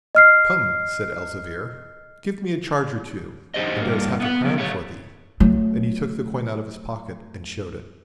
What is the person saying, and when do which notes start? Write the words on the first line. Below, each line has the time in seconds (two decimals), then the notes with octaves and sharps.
'Come,' said Elzevir, 'give me a charge or two, and there is half a crown for thee.' And he took the coin out of his pocket and showed it.
0.15 D#5 F6 C7
3.54 F#2 D#3 G4 C5 D#5
3.81 G2 A#3
4.20 B3 E5 F#5
4.44 C#3 F#3
4.58 A3 G4 C#5
5.40 F#3 A3